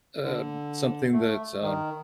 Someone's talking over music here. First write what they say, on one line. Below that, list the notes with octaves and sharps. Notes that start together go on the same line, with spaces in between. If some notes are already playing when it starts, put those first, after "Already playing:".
uh, something that's, um
D3
A3
D#3